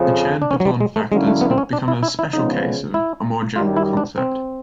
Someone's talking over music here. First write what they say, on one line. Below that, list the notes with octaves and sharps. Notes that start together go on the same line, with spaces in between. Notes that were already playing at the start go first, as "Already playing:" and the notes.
The Chan-Paton factors have become a special case of a more general concept.
Already playing: F2 C#3 F3
D4
C#4
F#3
G3
G#3
A3
D3 F#3 G#3 A#3 C#4 E4
A3
B3
C4
C#4
D4
E4
E4
E4
C#3 F3 G#3 B3 D#4
E4
F#2 D#3 G3 F4
E4
D4
C4